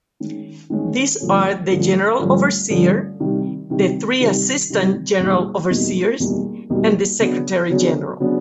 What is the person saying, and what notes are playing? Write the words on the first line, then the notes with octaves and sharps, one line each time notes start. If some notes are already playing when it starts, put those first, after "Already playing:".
These are the general overseer, the three assistant general overseers, and the secretary general.
D#3 G#3 C#4
D#3 G#3 C#4
G2 D3 F3 A3 C#4
G2 D3 F3 A3 C#4
G2 D3 F3 A3 C#4
G2 D3 F3 A3 C#4
C3 D#3 G3
C3 D#3 G3
C3 D#3 G3
C3 D#3 G3
E2 B2 G3 A#3 D#4
E2 B2 G3 A#3 D#4
E2 B2 G3 A#3 D#4
E2 B2 G3 A#3 D#4
C#3 F#3 B3 D4
C#3 F#3 B3 D4
C#3 F#3 B3 D4